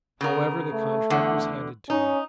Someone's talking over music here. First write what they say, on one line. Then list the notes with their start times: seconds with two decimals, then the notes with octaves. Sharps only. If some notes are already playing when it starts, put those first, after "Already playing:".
However, the contract was handed to me.
0.21 C#3 B3 A#4
0.73 A3
1.10 E2 D3 F#5
1.90 C#4 D#4